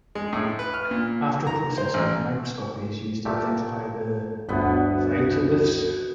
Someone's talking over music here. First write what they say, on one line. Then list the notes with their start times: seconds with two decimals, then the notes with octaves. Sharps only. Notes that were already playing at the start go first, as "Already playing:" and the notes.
After processing, microscopy is used to identify the phytoliths.
0.15 G#3
0.33 A2
0.59 B4
0.74 F6
0.91 A#2
1.47 A#5
1.78 C5
1.94 A1
3.25 A#2 A3 G4
4.49 G1 D2 B2 B3 B4